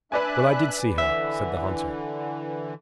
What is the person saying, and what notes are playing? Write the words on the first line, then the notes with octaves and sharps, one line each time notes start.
"Well, I did see her," said the hunter.
D4 B4 D5 E5 G#5 F#6
D3 E3 E5